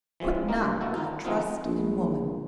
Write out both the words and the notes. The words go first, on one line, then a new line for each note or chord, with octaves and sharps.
Put not thy trust in woman!
E3 F3 G#3 C4
A#3 D#4 A#4
G2
B2 E4 F#4 A4
D#4 F4
F3 A3 B3 C4 D#4 F4
A#1